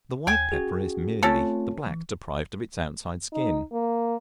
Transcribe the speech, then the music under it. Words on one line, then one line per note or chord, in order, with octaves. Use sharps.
The white pepper is merely the black deprived of its outside skin.
D#2 G5 G#5
C#4 F#4 G#4
A3 C4 C#4 F4 A4
E3
D#4
A#3